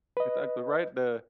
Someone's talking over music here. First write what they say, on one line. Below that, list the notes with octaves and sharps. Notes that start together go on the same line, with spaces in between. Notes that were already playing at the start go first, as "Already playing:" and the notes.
It's at the right the
B4 D#5